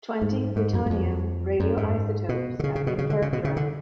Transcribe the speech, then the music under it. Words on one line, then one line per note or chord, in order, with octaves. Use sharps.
Twenty plutonium radioisotopes have been characterized.
G#2
G#2
F#2
F#2
F2
F#2
G#2
B2
D3
C#3
C#3
B2
C#3
D3
C#3
B2
C#3
D3